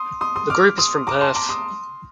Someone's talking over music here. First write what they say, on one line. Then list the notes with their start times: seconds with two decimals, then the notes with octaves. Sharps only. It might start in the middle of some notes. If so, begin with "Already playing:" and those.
The group is from Perth.
Already playing: C6 D#6
0.21 C6 D#6
0.36 C6 D#6
0.50 D6 F6
0.78 C6 D#6
1.07 A#5 D6
1.21 A5 C6
1.35 A#5 D6
1.49 C6 D#6